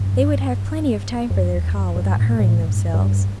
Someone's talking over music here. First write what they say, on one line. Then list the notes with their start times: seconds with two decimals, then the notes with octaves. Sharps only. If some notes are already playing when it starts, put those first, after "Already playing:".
They would have plenty of time for their call without hurrying themselves.
Already playing: G2
1.30 F#2
1.52 E2
1.74 F#2
1.96 G2
2.17 A2
2.39 A2
2.61 G2
2.94 G2